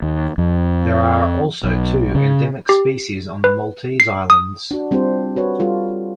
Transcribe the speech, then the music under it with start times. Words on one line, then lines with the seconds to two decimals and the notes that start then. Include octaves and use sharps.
There are also two endemic species on the Maltese Islands.
0.02 D#2
0.38 F2
1.64 B1
2.15 C#3
2.69 G4
3.44 B4
4.00 C7
4.30 D#6
4.71 D4 F#4
4.91 G3 C4 D4 F4 C5
5.36 F#4 B4 C#5
5.59 G3 F4 A4